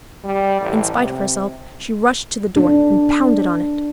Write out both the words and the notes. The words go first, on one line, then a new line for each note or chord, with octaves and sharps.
In spite of herself, she rushed to the door, and pounded on it.
G3
A1
C3
D4